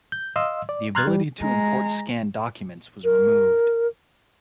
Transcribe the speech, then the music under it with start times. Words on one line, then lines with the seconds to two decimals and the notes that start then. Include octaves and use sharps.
The ability to import scanned documents was removed.
0.12 G6
0.36 D#5 F5 C6 E6
0.69 D5
0.95 A#5 C6 F6 F#6 G#6 A6
1.07 G3
1.41 G#3 A#5
3.04 A#4